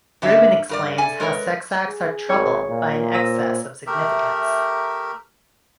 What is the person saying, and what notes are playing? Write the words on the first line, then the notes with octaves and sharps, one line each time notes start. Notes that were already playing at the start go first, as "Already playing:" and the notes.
Rubin explains how sex acts are troubled by an excess of significance.
G#2 D3 C#4 E5
G2 A#4 D5
A4 G#5
G#3 A#4 B4 C#5
G#4
G#1 C#5
A#2
C5 E6 A#6 D#7
A3 G4 A#4 E5